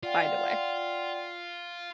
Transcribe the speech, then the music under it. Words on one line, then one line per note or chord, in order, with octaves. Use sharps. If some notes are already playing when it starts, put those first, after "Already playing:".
find a way.
F4 D5 F#5 G5